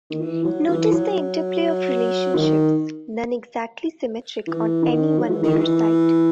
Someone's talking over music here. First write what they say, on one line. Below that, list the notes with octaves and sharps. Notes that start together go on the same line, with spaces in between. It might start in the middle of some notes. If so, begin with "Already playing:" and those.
Notice the interplay of relationships, none exactly symmetric on any one mirror side.
D#3
E3
F#3
E3
F#3
D#3
E3
D#3
F#3
E3
D#3
E3